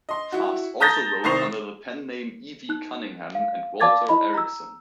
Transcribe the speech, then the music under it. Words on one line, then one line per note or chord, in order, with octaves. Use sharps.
Fast also wrote under the pen names E. V. Cunningham and Walter Ericson.
D#5 C6
E4 F#4
A5 A#5 D#6 G6 A6 A#6
C2 D#3 C5 C#6 C7 F7
D#4 F#6
F5
D5 F5 A5 D6 G#6 A6
E4 D#5 B5
A#5 E6